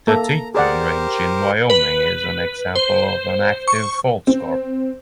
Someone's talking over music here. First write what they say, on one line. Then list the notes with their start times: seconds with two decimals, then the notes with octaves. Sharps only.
The Teton Range in Wyoming is an example of an active fault scarp.
0.07 A#3 A4 E5 A#5
0.55 G4 G#4 A#4 C5 D5 F#5
1.70 B4
2.75 C5
3.68 C#6
4.27 C4